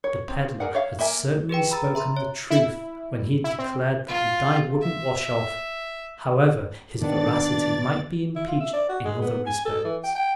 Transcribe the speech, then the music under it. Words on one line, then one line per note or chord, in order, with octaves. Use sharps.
The peddler had certainly spoken the truth when he declared that the dye wouldn't wash off, however his veracity might be impeached in other respects.
C#5
C4
G#4 A#4 D5 F#5
C#5 E5 F5
A#3 A#4 E5 G#5
G4 G#4 B4 G5
A#5 B5 E6 A6
E5 A#5 C6
C#5
E4
E4
C4
F4
E5
D#2 D#3 B3 D4 D5 A6
E4
F4
E5
D5
F#4
G#3
B3
G#5
A4
E3
G5
G5